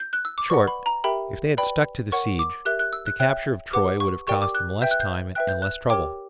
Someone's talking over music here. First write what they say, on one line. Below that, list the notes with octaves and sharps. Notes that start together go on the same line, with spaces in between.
In short, if they had stuck to the siege, the capture of Troy would have cost them less time and less trouble.
G6
F#6
E6
D6
B4 D5 F#5 C#6
B5
A#5
G4 A#4 E5 G5 B5
B4 D5 G5 B5
A#4 C#5 F#5 C#6
D6
G4 A#4 E5 F#6
F#6
E6
F#6
C#5 E5 G5 F#6
G4 B4 F#5 D6
C#6
G4 A#4 D5 G5 C#6
D6
F#6
B4 E5 G5 G6
F#6
G6
B4 E5 G5 F#6
G6
F#6
G4 A#4 C#5 G5 D6